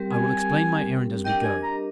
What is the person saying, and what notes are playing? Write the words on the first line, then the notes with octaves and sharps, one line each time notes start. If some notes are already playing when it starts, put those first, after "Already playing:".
I will explain my errand as we go.
Already playing: G3 C4 G4 A#4
G#5
D4 G4 A#4 D#5 G5
G#5
A#5